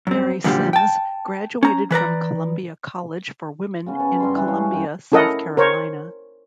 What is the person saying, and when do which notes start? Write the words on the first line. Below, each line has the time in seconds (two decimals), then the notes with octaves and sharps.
Mary Simms graduated from Columbia College for Women in Columbia, South Carolina.
0.07 F#2 C4
0.44 F#2 A#2 D3 F3 G3 G4
0.73 G5 A5
1.63 C#4 A#5
1.91 E3 B4 D5 A#5
3.86 C#3 B3 C#4
4.00 A4 B4 C#5
4.20 G2 G3 C6
4.34 D3 E3
4.47 C#4 C#5 F5
4.74 F#2 G5
5.12 C#4 E4 A4 A#4 D#5 F#5
5.57 A#4 C5 C#5